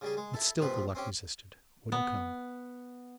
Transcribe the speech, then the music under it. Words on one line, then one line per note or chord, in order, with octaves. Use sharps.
But still the luck resisted; wouldn't come.
C#3 G3 G#4
G#3
E4 A4
A#1 G2 F3 C4 B4
C4 C#4 G4
B3